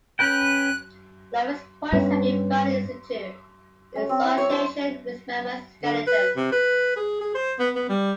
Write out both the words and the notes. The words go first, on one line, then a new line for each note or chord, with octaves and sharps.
Clovis points have been found "in situ" in association with mammoth skeletons.
C#4 B4 G5 F#6
G2 B3 C#4
C#4
C4
E4
C#5
C5
D3
B4
C3
B4
G#4
G#4
C5
B3
B3
G3